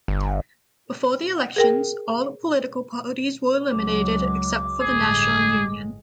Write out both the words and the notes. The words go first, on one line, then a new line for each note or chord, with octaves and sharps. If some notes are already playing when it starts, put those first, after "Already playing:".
Before the elections, all political parties were eliminated except for the National Union.
G1
G#4 A#4 G5
C#2 F#3 G#3 D6
G1 A2 G#3 G#4